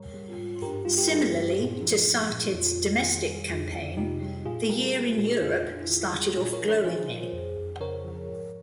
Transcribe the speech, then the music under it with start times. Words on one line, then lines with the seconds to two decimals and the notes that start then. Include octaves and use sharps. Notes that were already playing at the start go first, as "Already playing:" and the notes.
Similarly to Sartid's domestic campaign, the year in Europe started off glowingly.
Already playing: G#2 G3 A#4 C#5
0.14 G3
0.38 G#2
0.62 G2 G4 A#4
0.85 G3 F4
0.98 G4
1.10 G3 F4 G#4
1.34 G2
1.59 A#2
1.82 F3
2.06 F3
2.30 A#2
2.54 F2
2.78 F2
3.02 D#3 F4 G#4
3.26 G3
3.50 F2
3.73 F2
3.97 C3 D#4 G4
4.22 G3
4.45 A#2 F4 G#4
4.69 G3 G4 A#4
4.93 G3
5.17 A#2
5.41 F2 F4 G#4
5.65 F2
5.89 D#3
6.13 G3
6.37 A#2 F4 G#4
6.53 A#4 C#5
6.61 F3
6.69 A#4 C#5
6.85 F3 G#4 C5
7.09 A#2
7.33 F2
7.57 F2
7.80 C#3 A#4 C#5
8.05 F3
8.28 G#2